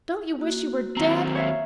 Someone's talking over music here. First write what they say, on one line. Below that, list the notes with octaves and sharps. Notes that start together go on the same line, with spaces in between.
Don't you wish you were dead?
A#3 F#4
D#2 C4 A#5
C#5 E5 F5